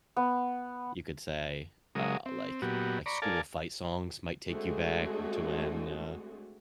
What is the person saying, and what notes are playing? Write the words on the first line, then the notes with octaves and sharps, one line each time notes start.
you could say, uh, like like school fight songs might take you back wh to when, uh,
B3
C#3 F#3 G#3 A#4 D#6
C4
A#2 F#3 B3 F#4 G4
D5 A#5 B5 C#6
A4 A#4 D5 F5 G#5 A5
G#3 A3 C4 D4 F#4 G#4